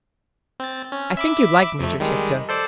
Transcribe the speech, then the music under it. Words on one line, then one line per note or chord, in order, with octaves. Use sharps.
I think you'd like Major Tifto.
C4 A6
C#4
E5 B5 D6
F2 A3
D#3 G3 G#3
A4 C5 D5